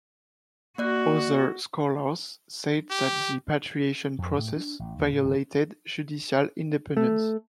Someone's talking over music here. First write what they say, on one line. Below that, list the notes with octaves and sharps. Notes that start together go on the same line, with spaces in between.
Other scholars said that the patriation process violated judicial independence.
A#3 F#4 D5 F#6
G4
F2
A2
D4
A1
D#2
A2
G1
A3